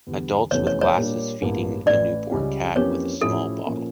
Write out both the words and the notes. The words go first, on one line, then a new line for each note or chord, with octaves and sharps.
Adults with glasses feeding a new born cat with a small bottle.
E2 D3 G3
F1 E2 E3 A3 C#4 C#5
C#5
C#5
A#2 G3 A#3 D4 G4
A1 G2 E3 A#3
A1 A2 E3 D5
C#2 C#3 G3 C#4
F2 E3 A#3 C#4 G4 C#5
A2 F3 C#4 E4 G4 A4
A#2 F3 A#3 C#4